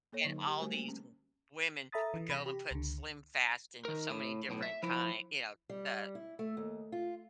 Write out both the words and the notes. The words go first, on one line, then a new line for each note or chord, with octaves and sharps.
And all these w women would go and put SlimFast in so many different kind you know, the
A#3 A4 C#5
D3 F#3 D#4
G4
G3 A3 F#4 A#4 C5 G#5
A#3
C#4
A4 E5 A#5 B5 D#6 A6
E3
C3 B5 A#6
G4
C#2 D3
D#3 A#4
A2
B1 A2
E5
F3 E4
G3
E4
A3
D#2
F4